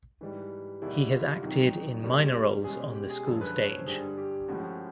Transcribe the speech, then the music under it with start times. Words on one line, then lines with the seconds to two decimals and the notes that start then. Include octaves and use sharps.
He has acted in minor roles on the school stage.
0.21 G#2 E3 G3
0.82 E2 B2 G3 A#3 E4
1.12 F4
1.42 F2 C3 D#3 F#3 D#4
2.03 A#2 G3 A#3 C#4
2.64 B2 G#3 C#4 G#4
2.80 G4
2.95 G4
3.10 G#4
3.26 F#2 D3 F3 G#3 A4
3.41 B4
3.56 C#5
3.71 C5
3.86 G2 D3 G3 G#4
4.18 G4
4.48 A2 F3 G#3 C#4 F#4